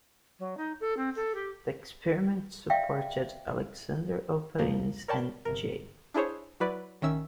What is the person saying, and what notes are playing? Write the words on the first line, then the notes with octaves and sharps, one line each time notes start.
The experiment supported Alexander Oparin's and J.
F#3
D#4
A4
C4
A4
G4
D5 E5 F5 G5
E2 B2 F3 A#3
A#4 C#5 D5 G5 A5 B5
G1 C3 A#4
D4 E4 G#4 C5 C#5
F#3 E4 B4 D5
A#1 D#3 C#4 E5 E6